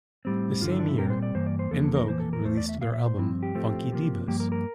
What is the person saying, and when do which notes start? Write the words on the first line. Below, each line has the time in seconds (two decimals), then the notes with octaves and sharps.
The same year, En Vogue released their album "Funky Divas".
0.25 A2 G3 C4
0.61 G2 D3 F3 F4
0.71 E4
0.79 D4
0.88 E4
0.98 A#2 G3 C4 A#4
1.10 C5
1.22 D5
1.35 G2 E3 A#3 C5
1.47 D5
1.59 C5
1.71 E2 D3 F3 A#3 A4
1.84 A4
1.95 A#4
2.08 F2 E3 A#3 C5
2.20 A4
2.33 A#4
2.45 E2 E3 A3 C5
2.57 D5
2.69 E5
2.81 A#2 G3 A#3 F5
2.93 E5
3.06 C5
3.18 G2 F3 C4 E4
3.43 G4
3.54 A2 F3 A3 C4
3.92 C3 F3 A#3
4.27 G2 F3 A#3 G4
4.40 A#4
4.52 A#4